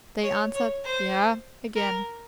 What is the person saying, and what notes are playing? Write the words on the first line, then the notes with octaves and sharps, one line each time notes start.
They answered "yea" again.
C#5
C#5
C5
A#4